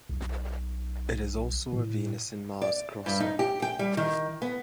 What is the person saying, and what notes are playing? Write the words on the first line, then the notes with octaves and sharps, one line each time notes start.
It is also a Venus and Mars-crosser.
B1
A2
D5
G2
D#4
G4
G5
G3
D#3
B3